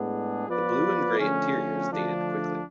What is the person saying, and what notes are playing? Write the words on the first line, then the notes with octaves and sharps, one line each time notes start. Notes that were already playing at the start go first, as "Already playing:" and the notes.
The blue and grey interiors dated quickly.
Already playing: A2 G#3 B3 D4 G#4
F3 B3 F4 B4 D5
D3 F3 A3 C#4
D3 F3 A3 D4